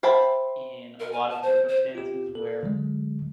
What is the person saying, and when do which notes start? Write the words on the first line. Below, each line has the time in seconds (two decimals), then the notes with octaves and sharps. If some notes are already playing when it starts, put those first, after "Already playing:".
in a lot of circumstances where,
0.03 C5 E5 G5 A5 B5
1.00 A#4
1.12 G#5
1.30 A5
1.43 C5
1.69 C5
1.95 F4 G4
2.35 A4
2.63 D3 F#3 G#3